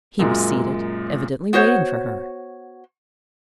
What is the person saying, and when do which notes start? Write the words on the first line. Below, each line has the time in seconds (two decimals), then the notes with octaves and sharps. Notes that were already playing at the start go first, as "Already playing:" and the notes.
He was seated, evidently waiting for her.
0.19 F#2 A#2 G#3
1.53 B3 F#4 C5 C#5 F#5